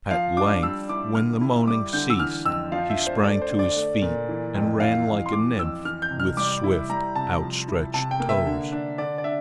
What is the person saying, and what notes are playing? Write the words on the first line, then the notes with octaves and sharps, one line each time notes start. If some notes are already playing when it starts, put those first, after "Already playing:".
At length, when the moaning ceased, he sprang to his feet and ran like a nymph with swift outstretched toes.
F3 F5
D4 D6
G3 E6
E4 D6
D3 F6
E4
G3 D6
D3 G6
E6
E3 F6
F2 E6
F3 F5
E5
D4
C5
A3 D5
C5
D3
D5
A3
A#2
E3
F2
E3 F5
F2
C6
E3 D6
F2 E6
E3 F6
G6
C3
F6
G3 D6
E4
G3 A#5
C3 A5
F3
E4
C3 A5
G5
A#3
E5
D3
D4
D3 D5
D5
D4 E5